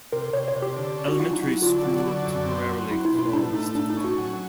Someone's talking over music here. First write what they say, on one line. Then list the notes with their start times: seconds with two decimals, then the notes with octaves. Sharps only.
Elementary school temporarily closed.
0.12 C3 A#4
0.33 C3 C#5
0.48 C#5
0.56 C3
0.62 G4
0.76 D3
0.98 C#4
1.08 F#4
1.20 F#3 F4
1.33 D#4
1.41 F#3
1.48 E4
1.62 D3 F4
1.83 F#3 F4
2.06 D3
2.27 F#2
2.47 C4
2.70 F#3
2.90 C4 E4
3.05 E4
3.12 B2
3.19 E4
3.33 A2 D4
3.54 A3 D#4
3.75 A2 D4
3.90 D#4
3.97 C#4
4.04 F#4
4.18 F#3